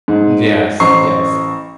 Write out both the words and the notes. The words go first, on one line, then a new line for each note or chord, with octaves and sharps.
Yes, yes.
G#2
A1 C5 A#5 C#6 C7